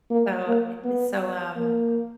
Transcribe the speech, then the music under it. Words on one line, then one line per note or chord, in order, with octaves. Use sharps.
so eh, e so, um,
A#3
A#3
B3
A#3